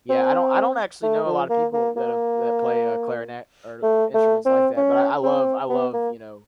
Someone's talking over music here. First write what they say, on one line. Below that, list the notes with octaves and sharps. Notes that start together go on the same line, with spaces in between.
Yeah, I don't I don't actually know a lot of people that have that play, uh, clarinet or instruments like that, but I I love I love, you know,
C4
A3
F3
A#3
A#3
A#3
A3
A3
C4
C#4
C4
B3
A#3